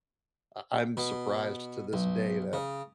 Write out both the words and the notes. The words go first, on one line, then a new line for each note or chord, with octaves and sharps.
I I'm surprised to this day that,
B2
B1
C#3